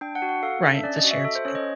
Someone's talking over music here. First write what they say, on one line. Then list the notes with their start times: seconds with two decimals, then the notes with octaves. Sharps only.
Right. It's a shared spa
0.01 D4 G5
0.15 F#5
0.22 F#4
0.29 F#5
0.43 A4 F5
0.63 D4 E5
0.83 C#4 D5
0.97 D#5
1.04 F#4
1.11 E5
1.25 A4
1.35 C5
1.45 C#4 C#5
1.55 D#5